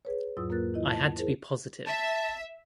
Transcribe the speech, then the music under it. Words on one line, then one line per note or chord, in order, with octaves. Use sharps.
I had to be positive.
G#4 B4 C#5
E2 G#2 F#3 F4 D#6 E6
A#3 F4 A#4 B4 F#6 A6
D#3 E4 F4 D#5
A5
E4 G#4 A#4 C5
E5 A5